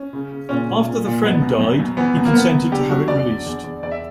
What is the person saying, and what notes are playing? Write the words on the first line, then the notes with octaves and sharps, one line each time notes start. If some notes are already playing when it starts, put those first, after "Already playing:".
After the friend died he consented to have it released.
Already playing: C#4
C#3
C#3
A#2 C#4
A#2
A#2
A#2
F#2 B3
F#2
F#2
F#2
E3 B3
F#2
A#3
F#2 B3
F#2
D3 G4
F#2 F#4
E2 D5
D3
E2
E2
E2 D5
E5